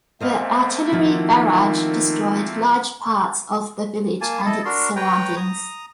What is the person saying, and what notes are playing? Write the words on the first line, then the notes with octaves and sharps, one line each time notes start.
The artillery barrage destroyed large parts of the village and its surroundings.
A3 A#3 C4 C5 D#5 F5
D#3 F3 E4 F#4
A#3 G#5 A5
E4 A4 D#5 A5
D4 F#4 A#4 C6
B4 C#5 G5 A#5
A#5 D#6